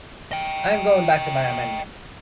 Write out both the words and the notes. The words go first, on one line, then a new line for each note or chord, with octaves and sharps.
I am going back to my amendment.
D#5 G5